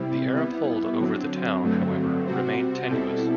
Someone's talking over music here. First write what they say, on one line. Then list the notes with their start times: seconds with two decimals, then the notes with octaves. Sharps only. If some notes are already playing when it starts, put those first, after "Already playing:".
The Arab hold over the town, however, remained tenuous.
Already playing: C3 G3 C4 E4
0.36 G3 B3 E4
1.00 D3 F#3 C4
1.63 G2 D3 F#3 A3 C4
2.26 C3 G3 C4 F#4 C5
2.90 B2 G3 C4 E4 A4